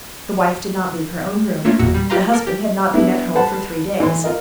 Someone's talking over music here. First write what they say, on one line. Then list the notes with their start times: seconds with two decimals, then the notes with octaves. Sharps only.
The wife did not leave her own room, the husband had not been at home for three days.
1.64 A3 A#3 D4 F4 C#5
1.79 G1 E2 A#2 F#4 E6 C#7
1.94 G3
2.09 F4 G4 B4 F5 A#5 C6
2.32 A4 A#4
2.47 G4
2.93 B3 D4 E4
3.35 B4 C5 F#5 A5 B5 C6
4.00 E3 C6
4.24 F4 A#4 D#5